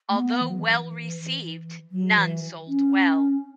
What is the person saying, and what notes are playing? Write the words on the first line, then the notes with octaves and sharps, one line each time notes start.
Although well received, none sold well.
A3
B3
E3
F#3
E3
F#3
E3
C#4